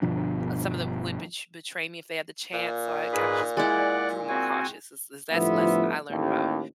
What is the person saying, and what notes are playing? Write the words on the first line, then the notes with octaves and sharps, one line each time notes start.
some of them would bet betray me if they had the chance. So I kinda just g grew more cautious is, is that's the lesson I learned about
G1 B2 F3 D4
A#2
G#2 G#4 B4
G#3 E4 D5 F#5
C4 F#4 G#5
G1 A2 F3 B3 F4 E5
A1 D#2